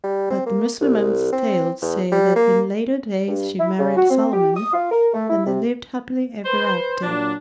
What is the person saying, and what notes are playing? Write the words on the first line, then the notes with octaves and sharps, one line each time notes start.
But the Mussulmans' tales say that in later days she married Solomon and they lived happily ever after.
G3
C4
A#3
C2
C4
E2
G3
A#3
G2
E4
C#3
F#4
C4
G4
D#6
F4
A#4
A3
E4
C3
B4 C5
A#2 F#3 D4